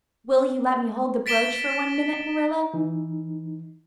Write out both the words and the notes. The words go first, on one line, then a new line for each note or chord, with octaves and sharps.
Will you let me hold the brooch for one minute, Marilla?
A6 B6 D7 E7 G7
E3 D#4